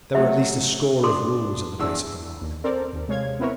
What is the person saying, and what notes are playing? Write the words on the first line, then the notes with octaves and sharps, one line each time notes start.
There were at least a score of wolves at the base of the rock.
F#3 A3 E5
D4 G#4 A4 C6
E2 D4 E6
D#2
C4 A4 A#4 C5 D5
D#2
C3 G#3 C#5 F5 G#6
B3 C4 E4 A#4 B4 C#5